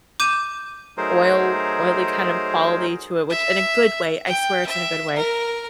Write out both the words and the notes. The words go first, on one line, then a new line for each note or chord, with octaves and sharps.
oil oily kind of quality to it, which in a good way, I swear it's in a good way.
D6 G6 D#7 E7
F#3 A3 D#4 G#4 A#4 C5
E5
G5
E5
A#4